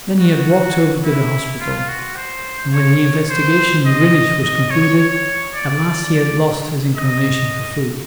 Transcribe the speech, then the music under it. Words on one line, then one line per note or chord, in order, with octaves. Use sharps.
Then he had walked over to the hospital; and when the investigation in Greenwich was concluded at last he had lost his inclination for food.
F#4
E4
F4
F#4
C5
C#5
C5
D#5
D#5
C#5
C#5
D5
D5
D#5